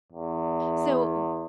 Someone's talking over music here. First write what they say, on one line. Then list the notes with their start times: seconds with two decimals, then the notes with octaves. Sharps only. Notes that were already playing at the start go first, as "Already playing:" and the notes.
So, w
0.12 E2